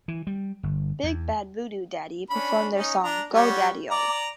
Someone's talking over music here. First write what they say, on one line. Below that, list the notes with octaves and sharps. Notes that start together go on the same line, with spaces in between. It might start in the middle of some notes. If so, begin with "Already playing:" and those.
Big Bad Voodoo Daddy performed their song "Go Daddy-O".
E3
G3
G1
E2
C#4 D4 B5
C#4 D#4
D4 A#5
G3 C#5 F#5
D5 A#5 D6